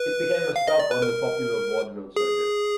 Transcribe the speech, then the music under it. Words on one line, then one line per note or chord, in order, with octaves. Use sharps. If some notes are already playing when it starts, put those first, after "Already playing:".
It became a stop on the popular vaudeville circuit.
Already playing: B4
F5
D#5
D5
B4
A#4
G#4